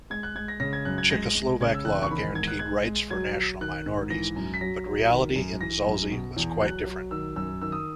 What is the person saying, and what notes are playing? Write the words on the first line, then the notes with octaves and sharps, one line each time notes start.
Czechoslovak law guaranteed rights for national minorities but reality in Zaolzie was quite different.
G#3 G#6
F#6
G#3 G#6
A#6
C#3 A#6
G#6
F#2 F#6
G#6
G#3 A#6
G#3
C#3 G#6
E6
E2 F#6
C#6
D#3 B5
G#2 G#6
F#6
G#3 G#6
G#3
F#3 G#6
F#3
D#3 F#6
G#2
E3 A#6
F#2
B6
F#3 A#6
F#3
D#3
F#2
E3 A#6
F#2
B2
E2
F#3 F#6
F#3
D#3 E6
F#2 E6
D#3 E6
D#6